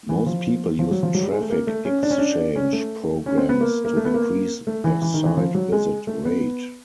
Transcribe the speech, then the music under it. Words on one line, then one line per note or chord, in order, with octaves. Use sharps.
Most people use Traffic Exchange programs to increase their site visit rate.
E3
F3
F3
F#3
F3
F#3
G3
G#3
A3
A#3
A3
C#4
D4
C#4
D4
C#4
A3
C#4
C4
B3
A#3
A#3
A3
B3
A#3
A3
E3
E3
D#3
E3
F3
F#3
G#3
A3
B3